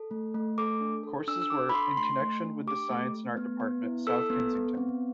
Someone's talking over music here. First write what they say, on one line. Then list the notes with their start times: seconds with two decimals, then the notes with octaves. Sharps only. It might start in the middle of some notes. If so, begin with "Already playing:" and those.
Courses were "in connection with the Science and Art Department, South Kensington".
Already playing: A4
0.11 A3
0.34 A3
0.58 A4 D6
0.81 D4
1.03 A4
1.27 D4 E6
1.42 E6
1.50 A4 D6
1.69 B5
1.74 D4 C6
1.97 A3 C6
2.21 A3
2.44 D4
2.67 G4 D6
2.90 A3
3.14 A3
3.37 B3
3.60 B3
3.83 E4
4.07 A4 E6
4.30 B3
4.53 B3
4.77 C4